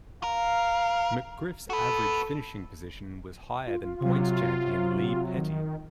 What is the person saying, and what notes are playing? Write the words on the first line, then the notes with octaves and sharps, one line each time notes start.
McGriff's average finishing position was higher than points champion Lee Petty.
A#4 F5
F#4 A4 B4
F4
C3 F#3
D#3